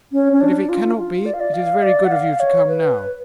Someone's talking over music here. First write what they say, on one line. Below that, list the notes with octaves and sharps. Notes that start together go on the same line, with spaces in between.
But if it cannot be, it is very good of you to come now.
C#4
C#4
D4
F4
F4
D5
F5
D5
F5
D5
F#5
F5
C#5
B4